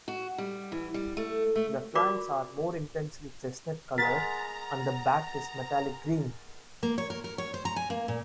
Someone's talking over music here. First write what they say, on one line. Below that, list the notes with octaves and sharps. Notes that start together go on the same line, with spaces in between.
The flanks are more intensely chestnut colored and the back is metallic green.
F#4
G3
E3
G3
A3
A3
F4 F#4 A#4 D5 B5 D6
G#3 B3 A#4 A#5 A6 B6
A#3
C#5
A#4
A#4
C#5
C5
A#5
G#5
A#3
A#2